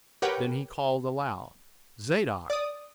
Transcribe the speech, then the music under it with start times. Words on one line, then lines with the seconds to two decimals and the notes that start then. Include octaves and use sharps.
Then he called aloud, Zadok!
0.22 G4 A#4 B4 C#5 F#5 G5
2.50 D5 D#6